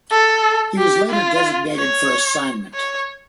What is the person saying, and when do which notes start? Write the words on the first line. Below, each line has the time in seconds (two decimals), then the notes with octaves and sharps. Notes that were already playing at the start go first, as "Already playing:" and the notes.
He was later designated for assignment.
0.11 A4
0.77 G4
1.09 F4
1.75 C#5
2.74 C#5